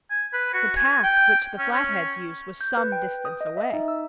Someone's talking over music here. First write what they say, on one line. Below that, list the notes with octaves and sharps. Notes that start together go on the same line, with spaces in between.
The path which the Flatheads used was some distance away.
G#5
B4
F#4
G#5
G5
C#4
C#4
G6
B4
G5
D#6
D#5
E5
D#4
E6